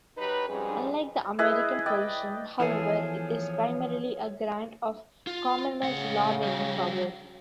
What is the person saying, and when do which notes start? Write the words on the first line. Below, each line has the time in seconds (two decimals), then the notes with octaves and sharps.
Unlike the American provision, however, it is primarily a grant of Commonwealth law-making power.
0.17 F#3 D#4 G4 B4
0.49 F2 G#2 G3 C#4 G#4
1.39 E4 G#4 B4 D#5
1.86 D5 D#5 G5
2.60 E3 F3 B3 E4 G#4 A4 C#5
5.27 F4
5.83 A2 C#3 F#5
6.44 G3 F#4